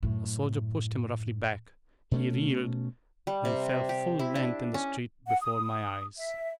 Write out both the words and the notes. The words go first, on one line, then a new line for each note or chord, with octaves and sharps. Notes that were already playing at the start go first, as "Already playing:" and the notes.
A soldier pushed him roughly back; he reeled, then fell full-length in the street before my eyes.
F#2 A2
B2 A3 C#4
G3
C3
G4
E4
D4
C#4
F#5
D#6
E5